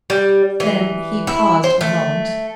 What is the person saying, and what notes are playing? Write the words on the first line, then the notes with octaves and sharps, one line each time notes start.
Then he paused a moment.
G3
E3
E4
C5
A3